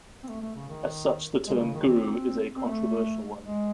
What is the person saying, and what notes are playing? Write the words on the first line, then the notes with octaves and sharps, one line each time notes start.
As such, the term "guru" is a controversial one.
C4
A3
A3
C#3
D#3
G#3
D#3
C#3
D#3
C4
C4
A3
G#3